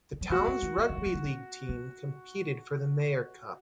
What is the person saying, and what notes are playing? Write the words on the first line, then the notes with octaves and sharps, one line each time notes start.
The town's rugby league team competed for the Maher Cup.
D#3
F#3
G#3 F#4
B3
C#4
G#3
B3
D#3
F#3
G#3
B3
C#4
B3